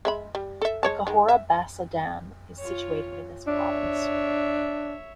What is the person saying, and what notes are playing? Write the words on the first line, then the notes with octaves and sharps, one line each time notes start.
The Cahora Bassa Dam is situated in this province.
G#3 E5 B5
G3
A4 E5
G#3 C#5 A5
D#3 G#3
E5
F4 C#5
D4 C#5 E5